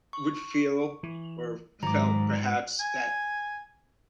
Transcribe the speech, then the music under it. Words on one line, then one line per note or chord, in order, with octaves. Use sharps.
would feel or felt perhaps that
C#6
E3
G#2 D#3 F#3 A#5 D6
G#5